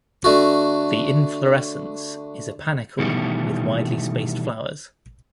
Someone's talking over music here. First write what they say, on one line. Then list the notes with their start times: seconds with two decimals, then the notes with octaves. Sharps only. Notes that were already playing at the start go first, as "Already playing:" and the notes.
The inflorescence is a panicle with widely spaced flowers.
0.24 D3 A3 F#4
2.99 B2 D#3 E3 G3 A3